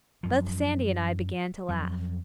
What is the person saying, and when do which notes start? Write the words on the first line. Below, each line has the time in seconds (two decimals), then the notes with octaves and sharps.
Both Sandy and I began to laugh.
0.23 F#2 F3
1.69 F2 F#3